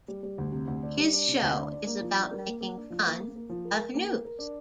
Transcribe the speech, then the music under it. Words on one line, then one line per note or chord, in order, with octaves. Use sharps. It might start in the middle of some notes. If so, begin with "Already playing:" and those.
His show is about making fun of news.
G3
G3
D2
C3
D2
D4
G3
D4
C3
D2
D4
D4
A#3
F3
D4
A#4
A#3
A#3
D4
F3
A#3
A#3
A#3
F3
A#4
A#4
A#3
A#4
A#4
D4